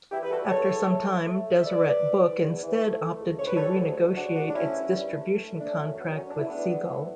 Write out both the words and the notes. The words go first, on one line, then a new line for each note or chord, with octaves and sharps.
After some time, Deseret Book instead opted to renegotiate its distribution contract with Seagull.
E3 E4 G4
B4
G3 F#4 A4
E2 A4 C#5
E2
A3
A3
A3
A3
E5
C#3 B4 D5
C#3
D2
E3
E2
E3
A3
A3
C#2
D2 C#5
B4
G3 A4 C#5
D2
D2
C#3 D4 F#4
D2 D4 F#4
D4
A3 C#4 E4
G2
G2
A3
A3
A3
D4
F#3 C#4
C#4
F#2
B3
F#3 C#4
E2 D4
E4
A3 B3 D4
E3
A2